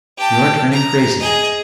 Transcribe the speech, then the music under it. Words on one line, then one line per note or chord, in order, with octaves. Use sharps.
You are turning crazy, I think.
G4 A5
A#5
G#4 D#5